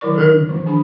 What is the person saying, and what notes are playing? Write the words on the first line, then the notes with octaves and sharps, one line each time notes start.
And, m
D#3 F#3 E4 A#4 D5 C#6
E3 F3
D#3 D4 G#4 B5